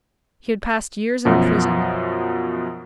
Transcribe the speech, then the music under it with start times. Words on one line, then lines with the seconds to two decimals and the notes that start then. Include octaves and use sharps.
He had passed years in a prison.
1.25 F#2 B2 F3